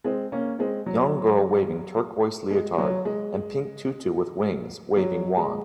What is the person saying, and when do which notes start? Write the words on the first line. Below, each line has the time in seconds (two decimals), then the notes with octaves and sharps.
Young girl waving turquiose leotard and pink tutu with wings waving wand.
0.04 G#3 C4
0.32 A#3 C#4
0.59 G#3 C4
0.86 F#3
2.51 G#3
2.78 F#3
3.05 G#3
4.97 F#3
5.37 G#3